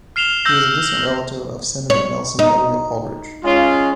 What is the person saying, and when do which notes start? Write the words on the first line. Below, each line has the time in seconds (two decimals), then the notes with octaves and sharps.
He was a distant relative of Senator Nelson W. Aldrich.
0.16 F6 C7 E7 F7 G7
0.45 E6 G6 A#6
1.90 C#5
2.39 D#4
3.44 G#3 C#4 F4